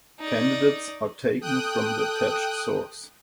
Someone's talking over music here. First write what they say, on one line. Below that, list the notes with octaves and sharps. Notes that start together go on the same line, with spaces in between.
Candidates are taken from the attached source.
D#4 D5
A4 G5 D#6 F#6